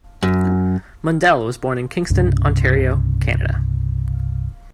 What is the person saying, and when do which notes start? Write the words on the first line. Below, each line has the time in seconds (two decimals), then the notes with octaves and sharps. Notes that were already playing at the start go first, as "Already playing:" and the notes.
Mundell was born in Kingston, Ontario, Canada.
0.23 F#2
2.10 C2 G2 C#3